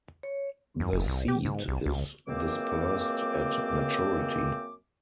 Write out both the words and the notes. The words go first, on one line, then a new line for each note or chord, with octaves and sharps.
The seed is dispersed at maturity.
C#5
F#2
F#1
C2
G4
G#2
C2
C#2
C#2 F#2 A#3 C4 D6